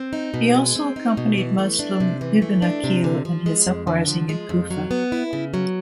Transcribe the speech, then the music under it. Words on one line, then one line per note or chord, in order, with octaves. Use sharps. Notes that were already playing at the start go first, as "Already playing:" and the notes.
He also accompanied Muslim ibn Aqil in his uprising in Kufa.
Already playing: C4
D#4
B2
G#3
C4
D#4
B2
E3
A3
D4
C3
E3
A3
D4
C3
D3
F3
G#3
F2
D3
F3
G#3
F2
F#3
B3
E4
C#3
F#3